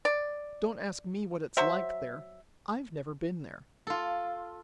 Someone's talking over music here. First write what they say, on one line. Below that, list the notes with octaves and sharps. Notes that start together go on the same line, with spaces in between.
Don't ask me what it's like there. I've never been there.
D5
F#3 C5 E5
F4 A4